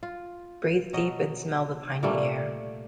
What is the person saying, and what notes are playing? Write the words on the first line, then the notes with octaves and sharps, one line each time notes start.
Breathe deep and smell the piny air.
F4
B2 F#3 D#5
A#2 G3 A3 A#3